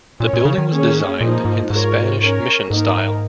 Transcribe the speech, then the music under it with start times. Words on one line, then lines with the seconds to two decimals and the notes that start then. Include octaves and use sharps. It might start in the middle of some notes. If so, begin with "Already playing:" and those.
The building was designed in the Spanish Mission style.
0.20 A#2 C#4 A#4 C#5
0.33 A#2
0.45 C#3
0.58 D#3
0.71 A#3 C#4 G#4 C#5
1.21 A#2 F3 A#3 D#4
1.45 G#2
1.70 G#2 G#3 F4 A#4 C#5
2.21 C#4 A#4 C#5
2.70 G#2 D#3 A#3 D#4 A#4